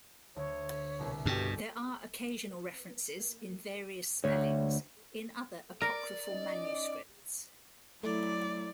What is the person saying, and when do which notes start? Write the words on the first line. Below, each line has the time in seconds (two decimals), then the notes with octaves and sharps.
There are occasional references, in various spellings, in other apocryphal manuscripts.
0.36 D2 C#5
0.99 C2 B2
1.25 G2 B2 G4 A4 G5
4.24 D2 C#5
5.81 A#4 D5
6.29 C#4 D#4 D#5
8.03 F#3 A3 E4 D5